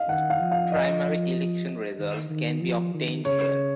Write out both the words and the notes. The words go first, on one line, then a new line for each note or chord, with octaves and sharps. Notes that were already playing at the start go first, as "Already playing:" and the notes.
Primary election results can be obtained here.
Already playing: D#5 F5
D#3 F#5
F5
F3
F5
D#5
D#3
D#3
F3
D#3
C#3 C#5